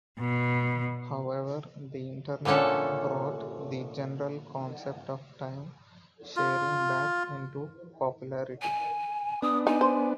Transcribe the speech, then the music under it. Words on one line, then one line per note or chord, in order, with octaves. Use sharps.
However, the Internet brought the general concept of time-sharing back into popularity.
B2
A#2 D3 A3 C#4 A4
F4
G#5
B3 D4 D#6
D#4 G#5
C5